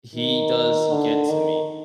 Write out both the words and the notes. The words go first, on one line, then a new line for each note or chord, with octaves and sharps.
he does get to me.
D#3
D3
D#3